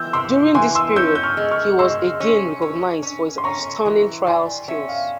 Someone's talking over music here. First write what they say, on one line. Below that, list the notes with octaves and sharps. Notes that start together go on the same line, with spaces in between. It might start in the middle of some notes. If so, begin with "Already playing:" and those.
During this period, he was again recognized for his outstanding trial skills.
Already playing: E3 E6 G6
C3 C6 E6
E3 G#5 C6
C6 E6
C#4 E6 G6
G6
C#6 F6
G#3
C#6 F6
G#3 C6 E6
C#4
C#4
C#4
C6
C#4 A#5 C#6
E3
G3 G#5 C6
C#4 E5
F5